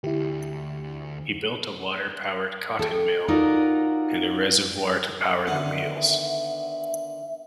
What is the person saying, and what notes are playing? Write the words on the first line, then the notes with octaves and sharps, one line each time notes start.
He built a water-powered cotton mill, and a reservoir to power the wheels.
D2 E4 G4
A4 G5
D#4 F4 F#4 A#4 D5
D3 D#3 B3 E5